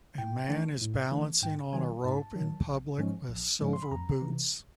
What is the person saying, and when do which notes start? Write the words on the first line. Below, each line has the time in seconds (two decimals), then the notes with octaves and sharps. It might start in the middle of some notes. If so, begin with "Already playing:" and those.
A man is balancing on a rope in public with silver boots.
0.18 A2 G5
0.49 E3 A3 D4
0.81 A2
1.11 E3 A3 D4
1.42 G#2 G5
1.73 D#3 F#3 G#5
2.04 G#2 A5
2.35 D#3 F#3
2.67 A#1
2.98 G#2 F3 G#3 C#4
3.29 A#1
3.60 G#2 F3 G#3 C#4
3.73 C6
3.83 B5
3.91 F2 A#5
4.22 C3 E3